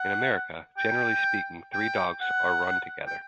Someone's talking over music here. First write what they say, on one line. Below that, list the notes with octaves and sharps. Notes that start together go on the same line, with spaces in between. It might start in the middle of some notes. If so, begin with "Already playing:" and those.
In America, generally speaking three dogs are run together.
Already playing: F#5
G5
G5
F#5
G5